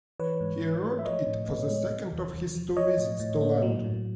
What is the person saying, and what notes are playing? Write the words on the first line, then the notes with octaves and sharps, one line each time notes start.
He wrote it for the second of his two visits to London.
E3 B4 C#5
G#2
G#2
A3
E5
F3 C#5 D#5
A2
B3
G#3
C3
E2
E2
F3
F3 C#5 D#5
A2
A2
A#3
F#3
A2